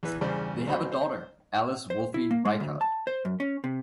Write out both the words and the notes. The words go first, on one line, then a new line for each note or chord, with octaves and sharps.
They have a daughter, Alice Wolfe Reichert.
E2 E3 B4
E2 G2 C#3 C5 D5
A1 F#3 C5 B5
C5
C5
E4
A#3
G#3
D2
A5
C5
F#2
C#4
C3